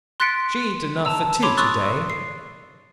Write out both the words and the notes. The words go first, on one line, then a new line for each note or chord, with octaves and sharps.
She eat enough for two to-day.
C6 F#6 A6 B6 C#7 D7
A5 A#5 E6
C#5 B5 C6 D6 F7
C6 C#6 D#6 E6 F#6 A6
C7